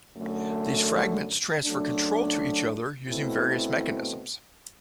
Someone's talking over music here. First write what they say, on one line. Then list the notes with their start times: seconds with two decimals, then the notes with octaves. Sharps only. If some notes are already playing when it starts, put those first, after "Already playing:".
These fragments transfer control to each other using various mechanisms.
0.17 F#2 D3 A3
1.63 F#2 F#3 A3 D4
3.09 B2 A3 C4 E4